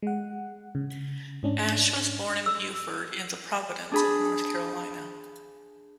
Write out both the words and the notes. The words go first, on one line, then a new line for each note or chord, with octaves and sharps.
Ashe was born in Beaufort in the Province of North Carolina.
G#3 F#5
C#3
G#2 C#4 D4
E6
D4 G#4 B5